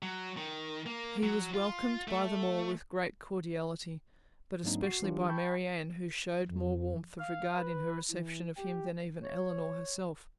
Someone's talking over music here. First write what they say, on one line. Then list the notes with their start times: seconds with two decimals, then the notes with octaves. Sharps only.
He was welcomed by them all with great cordiality, but especially by Marianne, who showed more warmth of regard in her reception of him than even Elinor herself.
0.02 F#3
0.37 D#3
0.86 A#3
1.23 F#3
1.54 F4
2.08 A3
4.64 G#2 F#3 A#3 C4 D4 D#4
4.83 F#4 C7
5.02 E3 F#3 D4 F4 G4
5.28 G5 A5 B5 C#6 G6
6.48 F2
7.19 F5
7.56 B4
8.11 E3
8.57 G4
9.22 C#5